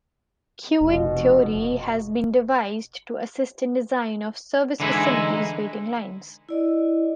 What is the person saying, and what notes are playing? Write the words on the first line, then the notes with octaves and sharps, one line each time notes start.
Queuing theory has been devised to assist in design of service facilities waiting lines.
F1 B2
D3 E3 G#3 D#4 E4
E4 D5 D#5